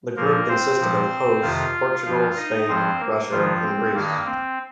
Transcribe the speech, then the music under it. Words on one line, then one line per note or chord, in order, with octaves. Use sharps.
The group consisted of hosts Portugal, Spain, Russia and Greece.
A#2 F3 A#3 A#4
C4 C5
A#2 F3
F2 C3 D#3 F4 F5
G2 F3 F4 F5
D#4 D#5
G2 F3 C4 C5
A#3 A#4
G2 D#3 F3 F4
C4
G2 D#3 A#3
C4